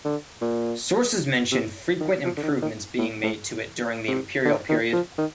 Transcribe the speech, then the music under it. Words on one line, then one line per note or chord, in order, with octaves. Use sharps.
Sources mention frequent improvements being made to it during the imperial period.
D3
A#2
C3
D#3
F3
D3
D#3
D#3
A2
A2
C3
D3
D#3
F3
D#3